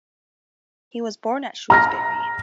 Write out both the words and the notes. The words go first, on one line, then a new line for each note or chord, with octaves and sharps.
He was born at Shrewsbury.
A#5 F6 A#6